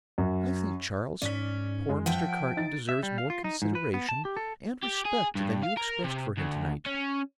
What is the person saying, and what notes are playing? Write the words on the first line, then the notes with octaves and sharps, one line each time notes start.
"I think, Charles, poor Mr. Carton deserves more consideration and respect than you expressed for him to-night."
F#2
G#2 C#4 D5 B6
F#2 G#3
F3 E5 F#5 G5
D7
D#4 A6
E5
G3
F5
F4
D#4
G#2
B4
B3
A5
G4
A4
G4
G#4
G2
F5
A#4
C3
D2
C#4